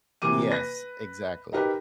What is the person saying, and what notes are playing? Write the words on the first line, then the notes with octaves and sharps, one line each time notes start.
Yes, exactly.
C3 E3 A#3 D6 D#7
B4 A#6
D#4 G4 A#4 B4